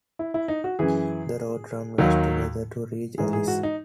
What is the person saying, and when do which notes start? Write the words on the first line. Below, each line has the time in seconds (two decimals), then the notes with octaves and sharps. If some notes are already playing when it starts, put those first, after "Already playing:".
The roads run west together to reach Alice.
0.19 E4
0.34 E4
0.48 D#4
0.64 F#4
0.79 F#2 E3 G#4
1.98 D#2 D#3 F#3
3.18 G#2 E3 G#4
3.33 G#4
3.48 F#4
3.63 D#4